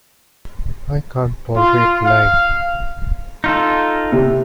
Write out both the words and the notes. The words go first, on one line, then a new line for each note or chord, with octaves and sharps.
I can't tolerate lying.
F4
F5
D#4 F4 A4
C3